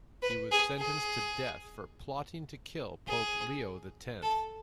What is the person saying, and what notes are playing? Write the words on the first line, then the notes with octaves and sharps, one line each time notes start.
He was sentenced to death for plotting to kill Pope Leo the Tenth.
B4
G#4
G#4
G#4
A4